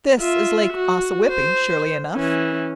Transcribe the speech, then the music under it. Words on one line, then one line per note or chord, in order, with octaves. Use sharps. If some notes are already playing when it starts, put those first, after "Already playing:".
This is Lake Ossawippi surely enough.
F4 E5
F#4
C5
E3 C#4